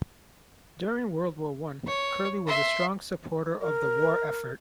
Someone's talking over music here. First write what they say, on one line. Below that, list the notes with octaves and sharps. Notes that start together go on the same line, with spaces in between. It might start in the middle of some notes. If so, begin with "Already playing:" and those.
During World War One, Curley was a strong supporter of the war effort.
C#5
E5 C6
A#4